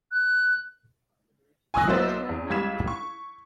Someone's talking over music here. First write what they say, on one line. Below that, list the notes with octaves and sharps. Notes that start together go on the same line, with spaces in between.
So why not?
F#6
G#5 C#6 D#6 E6 F#6 A#6
B1 F#3 A#3 C5 E5 A6
E2
C#2 G3 G#6 B6 E7
C#6